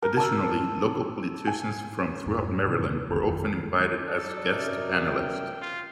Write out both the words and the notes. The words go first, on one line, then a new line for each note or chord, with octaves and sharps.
Additionally, local politicians from throughout Maryland were often invited as guest panelists.
A#4
A5 E6
G#5
F2 G#2
C3 D#3
F#1 D2
F2 D#3 F#3
F#3 D#4 A4 D5
F#2 C3 F6
G5
F4